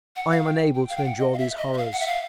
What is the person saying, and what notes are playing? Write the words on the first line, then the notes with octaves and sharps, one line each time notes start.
I am unable to endure these horrors.
F#5
F5
G5
G5
F5
G5
F#5
D#5
F5
E5
D#5
E5
F5
F#5
E5
F5